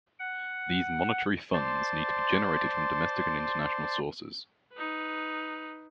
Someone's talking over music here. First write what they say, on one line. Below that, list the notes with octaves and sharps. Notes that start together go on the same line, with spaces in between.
These monetary funds need to be generated from domestic and international sources.
F#5
C5 D5 A5 C6
D#4 B4